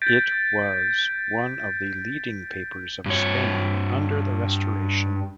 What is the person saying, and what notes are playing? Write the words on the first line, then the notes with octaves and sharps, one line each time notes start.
It was one of the leading papers of Spain under the Restoration.
G6 A6 B6 D7
G2 C#5